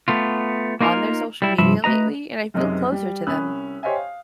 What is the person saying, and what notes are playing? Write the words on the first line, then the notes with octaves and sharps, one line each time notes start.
on their social media lately, and I feel closer to them.
A3 B3 F4
A#3 D#4 F4 G#4 A#4
G3 E4
C2 G2 F3 E5 B5
A3 B4 D#5 A#5
F#1 F#2 C3 G#3 D#4 D#5
G3
C2 C#4 B5 D#6 E6 F#6
G4 C5 C#5 D#5 E5 G#5
F5